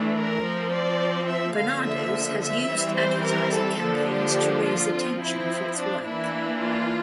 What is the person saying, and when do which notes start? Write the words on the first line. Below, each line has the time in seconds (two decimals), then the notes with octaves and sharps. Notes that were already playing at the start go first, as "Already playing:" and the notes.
Barnardo's has used advertising campaigns to raise attention for its work.
Already playing: E3 A3 D4
0.16 A#4
0.44 F3 C4
0.72 D5
1.28 E5
1.56 D3 F3 A#3 F5
1.84 E5
2.41 E5
2.69 E3 G3 C4
2.97 C5
3.25 A#4
3.53 A4
3.81 D3 F3 A#3 D4
4.10 G4
4.66 F4
4.94 F3 C4
5.22 E4
5.78 D4
6.06 E3 A#3 D4 E4
6.63 F4